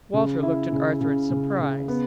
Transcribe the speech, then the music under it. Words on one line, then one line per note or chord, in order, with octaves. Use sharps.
Walter looked at Arthur in surprise.
C#3
E4
C#3
C#3
C#3
C#3
B3